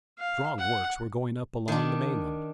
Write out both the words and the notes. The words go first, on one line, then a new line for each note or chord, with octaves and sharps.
Strong works were going up along the mainland.
F5
F#5
D#3 D4